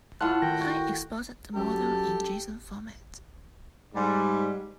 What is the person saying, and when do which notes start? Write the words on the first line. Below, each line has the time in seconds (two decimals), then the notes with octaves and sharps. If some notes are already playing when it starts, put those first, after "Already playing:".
I exported the model in json format.
0.21 A2 F4 F#5 A5 F#6
0.42 D#3 G5 A#6
0.61 F#4
1.55 G1 F#2 G4 A4
3.95 G#2 G3